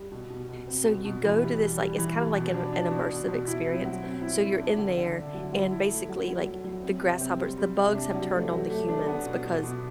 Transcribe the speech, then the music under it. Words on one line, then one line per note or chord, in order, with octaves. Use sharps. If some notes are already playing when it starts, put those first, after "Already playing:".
So you go to this, like It's kinda like an an immersive experience. So you're in there, and basically, like, the grasshoppers the bugs have turned on the humans, because
Already playing: G3
B2
B2
B2
C4
B2
B2
E3
G3
G3
G3
E3
G3
B2
D4
D4
B2
B2
B2
E4
C4
F#3
C4
E4
E4
D4
D3
D3
D4
F#3
F#3
E4
A3
F#3
F#3
F#3
F#3
C4
C3
C4
G3
G3
C3
D4
F#3
A3
F#3
A3
D4
B3
B2
B2
B2